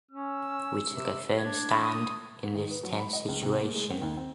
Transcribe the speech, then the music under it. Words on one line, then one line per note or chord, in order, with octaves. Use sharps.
We took a firm stand in this tense situation.
C#4 E6
C3
D4 G#6
D#6
D#3
B4
F#3
B5
D#5
C#2
C3
A#3
G#3
C4
D#2
C4